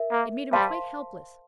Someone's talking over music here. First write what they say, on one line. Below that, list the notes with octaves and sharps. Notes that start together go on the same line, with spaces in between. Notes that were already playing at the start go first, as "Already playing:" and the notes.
It made him quite helpless.
Already playing: A#4 E5
A#3
G3 C5 F5 A5 C6